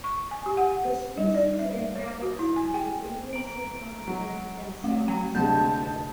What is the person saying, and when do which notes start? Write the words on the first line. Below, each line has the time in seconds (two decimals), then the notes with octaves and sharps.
The species inhabits the Indian subcontinent and Southeast Asia.
0.04 C#6
0.31 G#5
0.46 G4
0.57 F#5
1.18 G3
1.34 D5
1.59 E5
1.95 C#5
2.22 F#4
2.39 E4
2.56 G#5
2.74 G5
3.33 A#5 D7
4.08 F#3
4.84 A3
5.08 F#3 G5
5.35 D2 C3 G#3 A5 G6